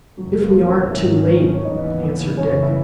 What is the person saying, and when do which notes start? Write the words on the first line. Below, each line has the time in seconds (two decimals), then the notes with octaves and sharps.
"If we aren't too late," answered Dick.
0.17 F#1 F#2 E3 F#3 F#4
0.42 A#3 A#4
0.66 C#4 C#5
0.91 G#1 G#2 D#3 F#3 C#4 E4 E5
1.53 C#5
1.64 D#2 C#3 E3 B3 D#4 D#5
2.37 F#2 C#3 E3 C#4 C#5
2.62 E4 E5